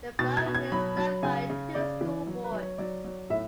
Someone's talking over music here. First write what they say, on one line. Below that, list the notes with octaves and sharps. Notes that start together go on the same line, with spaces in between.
The Borough is served by two school boards.
B2 A6
G#6
B2
G#6
F#3 B5
F#3
C#3 G#5
C#3
C#3 D5
E3
F#3 C#5
B4
F#3
C#5
F#3 D5
F#3
A2 E5